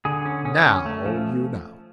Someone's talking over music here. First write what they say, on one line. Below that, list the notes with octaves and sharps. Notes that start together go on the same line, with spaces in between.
Now you know.'
D3 G#4
C#4
C#4
C#4
A3
F3